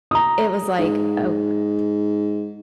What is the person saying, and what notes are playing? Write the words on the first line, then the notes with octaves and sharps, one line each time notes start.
it was like, ok
A#5 D#6
G#2